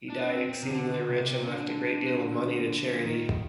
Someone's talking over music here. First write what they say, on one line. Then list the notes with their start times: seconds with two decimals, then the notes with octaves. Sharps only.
He died exceedingly rich and left a great deal of money to charity.
0.10 D4
0.29 C4
0.49 C4
0.62 C3
0.68 D3
1.09 C3
1.47 D3
3.05 D#3